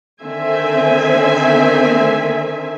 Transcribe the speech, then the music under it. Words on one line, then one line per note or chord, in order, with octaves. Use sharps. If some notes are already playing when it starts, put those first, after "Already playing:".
It exhibits in the community.
D3 D#3 C4 E5 G#5